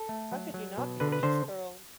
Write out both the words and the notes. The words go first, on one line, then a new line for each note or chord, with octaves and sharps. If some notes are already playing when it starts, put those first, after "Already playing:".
How could you not be a beach girl?
Already playing: A4
A3
F#3
F#3
B2
D3 B4
B4
D3 C5